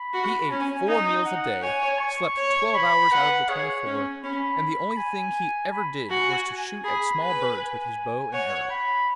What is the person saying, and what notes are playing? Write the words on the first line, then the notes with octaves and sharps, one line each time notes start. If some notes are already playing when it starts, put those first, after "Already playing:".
He ate four meals a day, slept twelve hours out of the twenty-four, and the only thing he ever did was to shoot at small birds with his bow and arrow.
Already playing: B5
F#4
C#4 G#5
D#4 D#5
F#5
C#5 G#5
C#6
C#5
B5
B4 F#5
G#4 C#5
C#4
C#4 B5
G#5
B5
F#4 G#5
G#5
G#4 B5
B4 G#5
G#5
C#5 F#5
B5